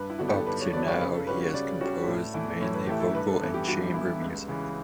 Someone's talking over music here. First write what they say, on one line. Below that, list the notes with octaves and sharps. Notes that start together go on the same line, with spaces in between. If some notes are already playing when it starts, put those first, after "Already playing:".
Up to now he has composed mainly vocal and chamber music.
Already playing: G2 B4
E4
D3 F#3 B3 D4 F#4
G4
A4
G2 B4
C#5
D3 F#3 B3 D4 D5
C#5
C#3 B4
A4
G3 C#4 F#4 B4
C#5
C#3 D5
G3 C#4 F#4
A2
E3 A3 E4
A2 C#5
B4
E3 A3 E4 G4
A4
G2 B4
A4
E3 B3 E4 A4
G4
G2 F#4
E3 B3 E4
C#2
C#3 E3